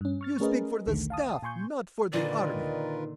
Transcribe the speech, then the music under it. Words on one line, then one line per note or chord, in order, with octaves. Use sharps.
"You speak for the Staff--not for the Army!"
G2 C#4
C#6 F6 A6
A3 C#4 G#4 A#4 B4 D#5
A#1 D#2 D3 D#3 A3
F5 A5 D#6
A#2 G#5 C6 C#6 G6
A#2 D3 D#3 F4 A#4 B4 D5